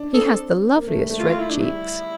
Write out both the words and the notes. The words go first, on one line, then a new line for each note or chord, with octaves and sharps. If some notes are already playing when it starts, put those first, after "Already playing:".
He has the loveliest red cheeks.
Already playing: D4
C4 A4
A#3
A3
G3
A3
F4
F4
E4
D4
G3 E4